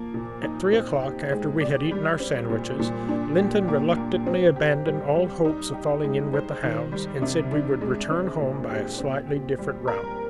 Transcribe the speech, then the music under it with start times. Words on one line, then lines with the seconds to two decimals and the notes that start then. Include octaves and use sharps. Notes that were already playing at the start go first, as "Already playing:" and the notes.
At three o'clock, after we had eaten our sandwiches, Lynton reluctantly abandoned all hopes of falling in with the hounds, and said we would return home by a slightly different route.
Already playing: F3 A#3
0.14 A#2
0.43 D#4
0.73 C4
1.02 G4
1.32 G#3
1.61 D5
1.91 G3
2.20 C4
2.50 A#2
2.79 A#2
3.09 D4
3.38 G4
3.68 A#3
3.97 A#3
4.27 C4
4.56 G4
4.86 G3
5.15 G3
5.45 D#4
5.74 G4
6.04 G#3
6.33 C5
6.63 D#3
6.92 G3
7.22 C3
7.51 D4
7.81 G#3
8.11 C4
8.40 A#2
8.70 G4
8.98 C4
9.29 G4
9.58 G3
9.88 A#4